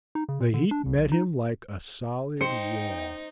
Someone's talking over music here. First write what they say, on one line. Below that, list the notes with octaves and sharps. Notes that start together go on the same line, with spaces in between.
The heat met him like a solid wall.
D#4
C#3
A#2
D3
D4
C2
B1
D#4
D#4 C5 G5 C#7